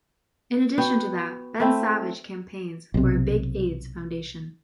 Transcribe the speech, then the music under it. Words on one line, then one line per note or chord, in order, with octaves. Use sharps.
In addition to that, Ben Savage campaigns for a big AIDS foundation.
B3 F#4 G5
A3 C4 E4
B1 C3